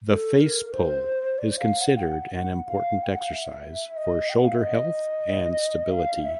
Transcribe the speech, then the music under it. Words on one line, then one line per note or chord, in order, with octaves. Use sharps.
The face pull is considered an important exercise for shoulder health and stability.
A4
A4
A#4
C5
D5
F5
F#5
G5
F#5
F#5
F5
G5
F#5
F5
E5
D#5
G5
F#5
F5
E5
D#5
F5
E5